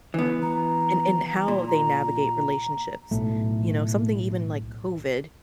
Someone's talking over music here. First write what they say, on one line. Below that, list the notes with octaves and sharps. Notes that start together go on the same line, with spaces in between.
um, and and how they navigate relationships. You know? Something even like COVID
E3 B3
A#5
A#2
B1 A2 A3